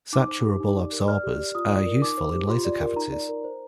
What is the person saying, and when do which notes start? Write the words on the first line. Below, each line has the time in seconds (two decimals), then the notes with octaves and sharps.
Saturable absorbers are useful in laser cavities.
0.13 D#4 D6
0.28 C5
0.45 G4
0.60 D#4
0.76 D5
0.92 A#4
1.08 D5 F6
1.23 G4
1.39 D5
1.55 F4 D#6
1.70 D5
1.86 A#4
2.02 D#4 D6
2.17 C5
2.34 G4
2.49 F4 C6
2.65 D5
2.81 A#4
2.96 D#4 A#5
3.12 D5
3.29 A#4
3.44 C5